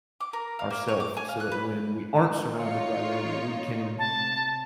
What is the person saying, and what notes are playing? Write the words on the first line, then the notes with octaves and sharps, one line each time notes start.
ourself, so that when we aren't surrounded by them we can
D6
A#4
F5
A#3
C#5
D6
G#5
F5
F#6
B4
D#4 F4 C#5
C3 A5